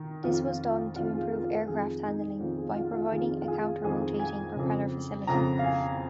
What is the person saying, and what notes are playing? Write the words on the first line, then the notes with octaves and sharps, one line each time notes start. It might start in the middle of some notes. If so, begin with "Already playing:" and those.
This was done to improve aircraft handling by providing a counter-rotating propeller facility.
Already playing: D#3
F2 D#3 F4
F2 D#3 F4
G#4
A#4
A#4
F2 D#3 G#4
D#4
F2 D#3 F4
G#4
F4
F4
F2 D#3 G#4
F4
G#4
F2 D#3 G#4
G#5
F2 C#3
F2 C#3 A#5
F5
G#5